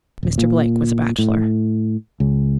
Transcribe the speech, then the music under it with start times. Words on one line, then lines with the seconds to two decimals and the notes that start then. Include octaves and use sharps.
Mr. Blake was a bachelor.
0.23 D1
0.38 A#2
1.18 A2
2.20 C#2